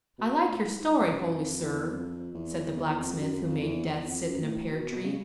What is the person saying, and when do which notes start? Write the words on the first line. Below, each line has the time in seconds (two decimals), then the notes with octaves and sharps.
"I like your story, holy sir," said the Blacksmith who made Death sit in a pear-tree.
0.18 B2
0.47 A2
0.76 G#2
1.01 F2
1.05 F#2
1.34 F2
1.62 E2
1.91 F2
2.34 E2
2.77 E2
2.99 F2
3.20 F#2
3.42 F2
3.63 E2
3.85 E2
4.06 F2
4.28 F#2
4.42 A#2
4.49 A2
4.71 B2
4.92 B2
5.05 C#3